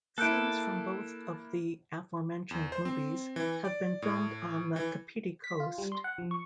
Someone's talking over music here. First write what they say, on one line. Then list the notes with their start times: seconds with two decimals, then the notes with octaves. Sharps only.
Scenes from both of the aforementioned movies have been filmed on the Kapiti Coast.
0.18 A#3 E4 A4 F#6 G6 D7
2.51 E2
2.72 C5
2.85 C4
3.36 E3
3.65 D5
4.02 A2
4.76 E3
5.44 B6
5.60 F4
5.78 G3
5.92 C6
6.04 F#5
6.18 F3
6.31 C#6